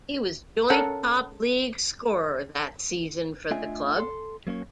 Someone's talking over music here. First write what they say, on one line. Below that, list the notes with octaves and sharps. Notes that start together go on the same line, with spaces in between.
He was joint top League scorer that season for the club.
C#4 A4 A#4 F#5
A3 D4 F4 D#5 E5 G#5
A4 C6
F#3 A#3 C#4 C#5